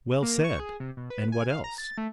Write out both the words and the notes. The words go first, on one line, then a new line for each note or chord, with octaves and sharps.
'Well said; and what else?
A#3
C#6
G#4
C3
B2
B4
G#5
F5
A#5
A6
A3